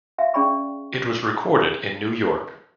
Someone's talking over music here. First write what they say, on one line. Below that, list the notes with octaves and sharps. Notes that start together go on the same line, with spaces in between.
It was recorded in New York.
F#4 E5 F5
C#4 G#4 D5 G5 B5 C#6